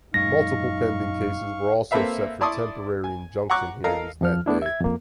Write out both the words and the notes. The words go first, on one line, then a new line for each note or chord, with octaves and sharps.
Multiple pending cases were also set for temporary injunction hearings that day.
F#2 A#2 G#3 D#4 F5 C#6 A#6
A#3 C4 A4 B4 E5 F5
E4 D5 A5 C6 C#6 D#6
G#5
F#5 A#5 C#6 D6 F#6
A4 A#4 D#5 F5 A#5
F2 F3 F6
A3 B3 D4 E4
E5 G#6
F2 A#3